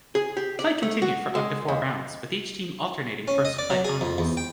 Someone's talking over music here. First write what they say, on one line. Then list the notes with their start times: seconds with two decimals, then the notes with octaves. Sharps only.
Play continued for up to four rounds, with each team alternating first-play honors.
0.15 G#4
0.37 G4
0.59 D5
0.82 A3
1.02 F#4
1.35 G#3
1.68 D#2
3.28 C#4
3.45 D#5
3.59 D5
3.70 F#3
3.85 G#4
4.01 F2
4.18 E2
4.37 G5